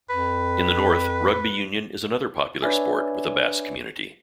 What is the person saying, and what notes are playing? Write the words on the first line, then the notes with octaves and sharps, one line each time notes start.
In the north, rugby union is another popular sport with the Basque community.
F2 B4
D4 B4 C#5 D5 E5 G#5